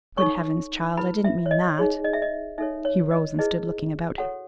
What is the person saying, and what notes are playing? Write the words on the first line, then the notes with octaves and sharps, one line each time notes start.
"Good heavens, child, I didn't mean that!" He rose and stood looking about him.
D#4 A4 C#5 C#6
E4 B4 B5
E5
C#5
D#5
D#4 G#4 C#5
D#5
E5
D#5
D#4 A4 C#5 E5
C#5
D#5
E4 G#4 B4 D#5
F#4 A4 C#5 F#5